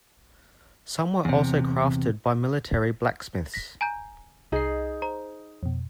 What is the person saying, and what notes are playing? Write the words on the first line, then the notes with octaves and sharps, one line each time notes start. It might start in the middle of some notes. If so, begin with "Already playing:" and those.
Some were also crafted by military blacksmiths.
E2 C3
A#6 B6
G#5 A#5 G6
C2 D#4 G#4 D#5 C7
C5 A#5
F2 B2